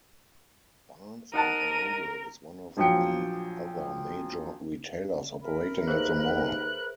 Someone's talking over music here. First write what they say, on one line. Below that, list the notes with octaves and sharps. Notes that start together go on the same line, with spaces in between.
Barnes and Noble is one of the other major retailers operating at the mall.
D#4 A#4 F#5 A5 D#7
A#1 F3 F#3 G5 C#7
A#4 E5 B5
D#2 G#4 B4 C5 F#6